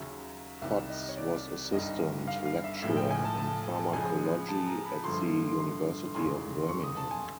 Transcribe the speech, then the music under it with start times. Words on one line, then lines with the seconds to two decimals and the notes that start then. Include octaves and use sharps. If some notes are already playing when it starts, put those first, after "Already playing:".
Potts was assistant lecturer in pharmacology at the University of Birmingham.
Already playing: D#2 C#3 F#3 E5
0.62 C2 C3 D#3 G3 E5
0.90 D#5
1.09 C#5
1.17 D5
1.72 G1 G2 D#3 D#5
2.27 F5
2.45 F5
2.64 E5
2.82 B1 A2 F3 G#3 E5
2.97 G5
3.11 G#5
3.24 A5
3.37 A5
3.93 C#2 C#3 F3 G#3 G#5
4.49 A5
4.66 A#5
4.85 B5
5.03 G1 G2 D3 F3 C6
5.59 C6
6.14 F1 D#2 C#3 E3 G#3 C6
6.69 C#6
6.83 D#6
6.97 A5
7.11 G#5